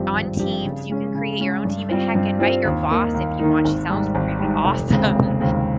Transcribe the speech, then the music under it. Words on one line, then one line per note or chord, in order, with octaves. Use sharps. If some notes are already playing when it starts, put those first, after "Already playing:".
on Teams, you can create your own team at heck, invite your boss if you want. She sounds really awesome.
Already playing: G#1 G2 F3 C4 G4
G#1
G2 F3 C4 G4
C#3
G#3 C#4
C#3
G#3 C#4
G2
G3 C4 F4 C5
G2
G3 C4 F4 C5
D#2
D#3 A#3 D#4
D#2
D#3 A#3 D#4
G#1
G#2 G3
G#1
G#2 G3
F1
D#2 C#3 G#3 C4
F1
D#2 C#3 G#3 C4